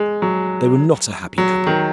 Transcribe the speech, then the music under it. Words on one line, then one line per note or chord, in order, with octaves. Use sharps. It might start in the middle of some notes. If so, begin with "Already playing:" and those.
They were not a happy couple.
Already playing: G#3
F#3
F#3
D#3